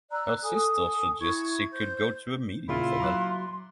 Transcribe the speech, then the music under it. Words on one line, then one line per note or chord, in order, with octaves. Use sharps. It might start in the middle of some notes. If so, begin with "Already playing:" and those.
Her sisters suggest she could go to a medium for help.
D5 A#5 E6 F#6
A4 G#5 D#6
E4 C#6 G#6
C5 G6
A#2 C#3 E4 F4 C6
F#3 A#5 D6 F#6